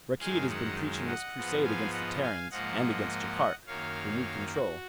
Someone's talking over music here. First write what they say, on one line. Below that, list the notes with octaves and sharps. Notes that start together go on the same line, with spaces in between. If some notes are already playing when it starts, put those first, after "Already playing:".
Rakkeed has been preaching this crusade against the Terrans, and against Jaikark, whom we control.
F#2 D#3 G#3 F5 G#5
D#5 F#5
D#5 F#5
G#2 F3 B3
F5 G#5
D#5 F#5
F5 G#5
G#2 F3 A#3 D#5 F#5
F#2 D#3 A#3 C#5 F5
F#4